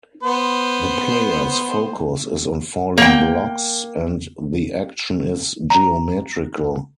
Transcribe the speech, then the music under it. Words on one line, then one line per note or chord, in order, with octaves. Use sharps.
The player's focus is on falling blocks, and the action is geometrical.
B3 C5
A#3 G5
A#5